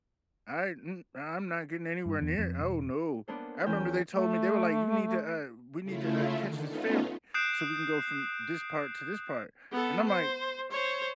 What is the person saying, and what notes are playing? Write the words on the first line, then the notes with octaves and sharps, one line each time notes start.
I m I'm not getting anywhere near oh, no, I 'member they told me they were like, "You need to, uh we need to, uh, catch this ferry, so we can go from this part to this part," and I'm like,
G2
E2
F2
E1
A#3 B3 D4 A4 C5
E2 C#4 G5 G6
A3
C#3 A3 E4 F4
D3 D#3
A3 B3 C#4 D#4 F4
D#6 F#6 G6 C7 D7 E7
B3 A4
C5
C5 C#5